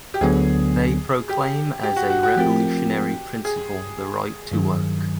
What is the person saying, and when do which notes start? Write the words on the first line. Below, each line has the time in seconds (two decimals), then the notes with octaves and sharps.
They proclaim as a revolutionary principle the Right to Work.
0.14 G4
0.21 D2 D3 F#3 B3 G#4
1.29 G4
1.83 G4
1.96 F#4
2.10 F#4
2.23 F#4
2.36 F3 A3 C4 F4 G4 A#4
3.45 G#4
4.52 G2 D#3 F#3